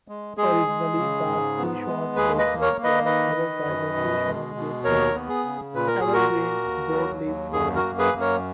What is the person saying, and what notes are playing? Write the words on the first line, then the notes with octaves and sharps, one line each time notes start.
Originally, the Sichuan Basin was covered by the Sichuan Basin evergreen broadleaf forests.
G#3
G#3 G#4
G#3
C#3
G#2
B3
G#3
D#2 G#4 B4
B4 D#5
A#3
A#4 C#5
A#3
B4 D#5
D#3 B4 D#5
D#3
F#2
B2
G#3
B2
D#2 A#4 C#5
B3
G#4
C#3
A#2 B4
A#4
A#2 G#4
F#4 A#4
A#2
D#2
F#3
D#2
F#2 G#4
F#4 A#4
A#3
G#4 B4
F#2
A#4 C#5